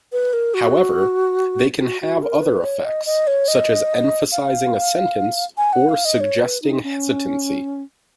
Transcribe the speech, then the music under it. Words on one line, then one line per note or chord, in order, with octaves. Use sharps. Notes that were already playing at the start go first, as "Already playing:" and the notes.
However, they can have other effects, such as emphasizing a sentence, or suggesting hesitancy.
B4
A#4
F#4
F#4
F#4
A#4
B4
C#5
D#5
D#5
C#5
D#5
F5
G#5
F#5
F5
D#5
C#5
B4
D#4
C#4